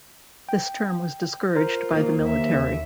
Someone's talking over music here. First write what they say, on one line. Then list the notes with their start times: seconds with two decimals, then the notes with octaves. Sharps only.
This term was discouraged by the military.
0.49 G5
1.55 F4 A#4 C5
1.93 D#3 A#3
2.24 D#2 A#3 E5